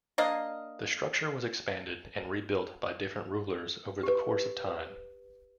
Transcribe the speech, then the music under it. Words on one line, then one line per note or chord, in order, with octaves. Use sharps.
The structure was expanded and rebuilt by different rulers over the course of time.
A#3 D4 D#5 F5
G4 B4